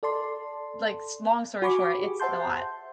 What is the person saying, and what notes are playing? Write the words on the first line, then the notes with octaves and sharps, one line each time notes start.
like s long story short, it's not
A4 D5 A5 C6
F#4 G#5 B5 C#6 D6
G4 G#4
C5 E5 F#5 A5 C6 G6